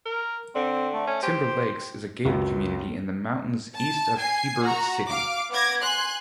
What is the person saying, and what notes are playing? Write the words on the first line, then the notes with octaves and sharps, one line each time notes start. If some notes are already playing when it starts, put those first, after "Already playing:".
Timber Lakes is a private gated community in the mountains east of Heber City.
A#4
D3 C4
A3
C#4
G4 C5
C#2 F#2
A5
G#5 C7
F#4 A#5
F5 D6
B3 D6 G#6 A#6
G#5 C6 F#6